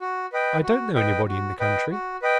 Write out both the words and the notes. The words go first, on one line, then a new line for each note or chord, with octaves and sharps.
I don't know anybody in the country.'
F#4
B4 D#5 G5
F#4
B4 D#5 G5
F#4
B4 D#5 G5
F#4
B4 D#5 G5